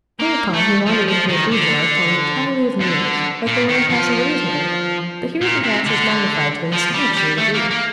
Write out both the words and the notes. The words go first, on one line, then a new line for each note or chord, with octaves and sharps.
Hereupon he wandered into a boudoir formed entirely of mirrors, like the one in Castle Rosenburg; but here the glasses magnified to an astonishing degree.
A#3
A3
F3
F3
D#3
D3
D3
A#2
D#3
F3
A#2
C3
D3
F3
G3
G3
A3
A#3
A#3